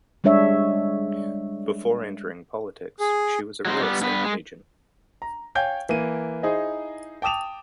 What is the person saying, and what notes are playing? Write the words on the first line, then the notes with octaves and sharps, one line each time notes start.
Before entering politics, she was a real estate agent.
G3 G#3 D4 C#5 E5
G#4
F#3 G#3 D#4 C5
G3 B3
G2 B3 B4
G#3
A#5
C#5 F5 G5 G#5 G6 G#6
E3 A#3 D#7
D#4 E4 G#4 C5 D#5
G5 A5 D6 D#6 E7 F7